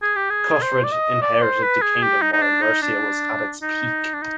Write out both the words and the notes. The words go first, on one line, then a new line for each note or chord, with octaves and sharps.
Cuthred inherited the kingdom while Mercia was at its peak.
G#4
G4
G#4
C5
D5
D#5
D5
C5
B4
G#4
G4
D#4
D#4
D4
D#4
D4
D#4
D4
D#4